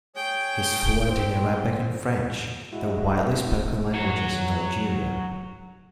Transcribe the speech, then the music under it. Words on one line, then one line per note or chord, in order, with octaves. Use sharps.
He is fluent in Arabic and French, the widely spoken languages in Algeria.
G#4 C#5 G5
C4
G#3 E4 F#4
F#3 C#5